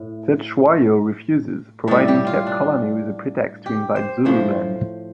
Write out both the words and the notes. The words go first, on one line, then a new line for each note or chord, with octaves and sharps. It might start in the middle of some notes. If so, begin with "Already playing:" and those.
Cetshwayo refuses, providing Cape Colony with a pretext to invade Zululand.
Already playing: A2
A2 G3 A4
G4
F4
D4
G4
C5
A2 F3 C5